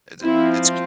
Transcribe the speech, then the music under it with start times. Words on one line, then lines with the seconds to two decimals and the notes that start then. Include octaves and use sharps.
Is it it's
0.23 F3 C4 E4